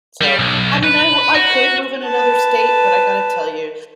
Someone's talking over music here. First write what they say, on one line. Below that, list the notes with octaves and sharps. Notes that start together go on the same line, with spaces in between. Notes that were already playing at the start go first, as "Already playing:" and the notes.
So, I mean, I wou could move in another state, but I got to tell you,
G3
B1
B4
F#4
B4 A5